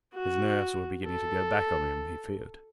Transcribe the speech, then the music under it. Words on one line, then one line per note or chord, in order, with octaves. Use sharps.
His nerves were beginning to go back on him he feared.
F#4
A4